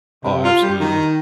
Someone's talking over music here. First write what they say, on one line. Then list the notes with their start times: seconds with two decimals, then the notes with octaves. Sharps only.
Oh, absolutely.
0.24 C3
0.44 F4
0.62 G3
0.80 D#3